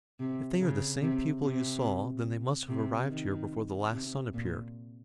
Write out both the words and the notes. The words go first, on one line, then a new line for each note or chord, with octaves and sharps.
If they are the same people you saw, then they must have arrived here before the last sun appeared.
C3
C#3
C3
C3
C3
D#3
C3
A#2